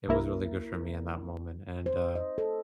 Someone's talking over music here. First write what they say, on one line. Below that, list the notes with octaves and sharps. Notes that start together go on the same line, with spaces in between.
It was really good for me in that moment and, uh,
C2 A#3 E4 A#4
C5
D#5
A4